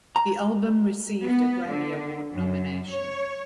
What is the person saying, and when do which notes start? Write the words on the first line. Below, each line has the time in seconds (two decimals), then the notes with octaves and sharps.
The album received a Grammy Award nomination.
0.16 A#5
1.24 B3
1.68 D3
2.32 F#2
2.88 C#5